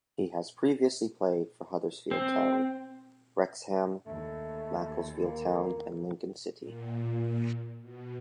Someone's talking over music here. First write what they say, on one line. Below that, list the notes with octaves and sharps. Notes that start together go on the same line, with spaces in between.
He has previously played for Huddersfield Town, Wrexham, Macclesfield Town, and Lincoln City.
C4
D#2 A3
A#3
A#2
B2